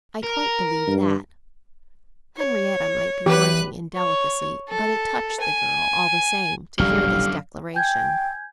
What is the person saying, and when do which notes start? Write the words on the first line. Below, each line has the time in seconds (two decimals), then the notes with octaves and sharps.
"I quite believe that." Henrietta might be wanting in delicacy, but it touched the girl, all the same, to hear this declaration.
0.24 A#4
0.87 G2
2.37 C#5
3.26 E2 G4 B4 F#6
3.95 C#5
4.69 A4
5.41 G#5
6.79 E1 A#1 F#2 D3 E3 G3 F5
7.75 G5 G#5 G6 G#6